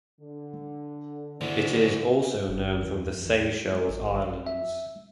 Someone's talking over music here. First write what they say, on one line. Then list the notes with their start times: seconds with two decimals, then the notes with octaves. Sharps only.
It is also known from the Seychelles Islands.
0.21 D3
1.41 D3 A#3 E4 G#4 C5
2.48 G1
2.82 E2
3.08 F2
3.26 E2
3.45 G#3
3.72 G#3
3.89 A1
4.11 G#1
4.47 E5